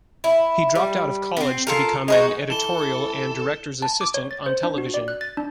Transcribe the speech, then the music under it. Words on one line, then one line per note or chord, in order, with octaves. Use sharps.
He dropped out of college to become an editorial and director's assistant on television.
E4
G3
B3 C4
F4 A4 A#4
G#3 D#4 F#4
E3 A4 E7 G7
A5
D6
C#5
A6
C5
D4
F#4
D5
F#6
A6
D4